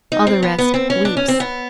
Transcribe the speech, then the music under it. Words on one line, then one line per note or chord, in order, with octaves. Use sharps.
All the rest weeps.
D#4
C4
B3
B3
C4
C#4
D4
C#4
C4
B3